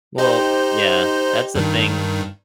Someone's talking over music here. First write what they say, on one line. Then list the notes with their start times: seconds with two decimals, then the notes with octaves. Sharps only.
Well yeah, that's the thing.
0.18 D#4 G4 C5
1.55 G2 D#3